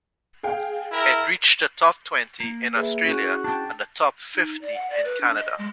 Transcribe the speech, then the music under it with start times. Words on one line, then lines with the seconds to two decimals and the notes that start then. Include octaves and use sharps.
It reached the top twenty in Australia and the top fifty in Canada.
0.43 G#4 F5 G5
0.92 E4 A#4
2.40 A#3
2.76 G#4 B4 E5
3.04 C#4 E4 F#4 G#4
3.44 D4 G5 A5
4.35 D#4
4.61 D5
4.74 F#5
4.90 D5
5.05 B4
5.21 D4
5.34 D#5
5.58 G#3